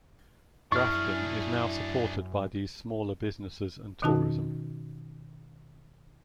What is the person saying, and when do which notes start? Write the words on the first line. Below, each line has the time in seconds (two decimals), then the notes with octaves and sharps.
Grafton is now supported by these smaller businesses and tourism.
0.72 F#2 D4 E4 G#4 C#6 F6
4.02 B2 D#3 C#4 D#4 F#4 A5